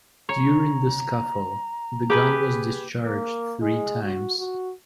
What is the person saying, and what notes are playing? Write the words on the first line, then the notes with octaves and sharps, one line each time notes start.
During the scuffle, the gun was discharged three times.
C#5 A#5
G4 G#4 B4
A#3
G#3
F#4
F#4